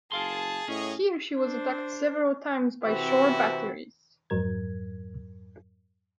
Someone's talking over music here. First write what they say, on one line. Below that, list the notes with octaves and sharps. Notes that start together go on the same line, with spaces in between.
Here she was attacked several times by shore batteries.
F#1 G#4 A#4 F5 A5 C6
A2 C#4 C#5 D#5
D4 C5
C3 E3 C4 E4 F#4
F2 G#2 F#3 A#4 G#6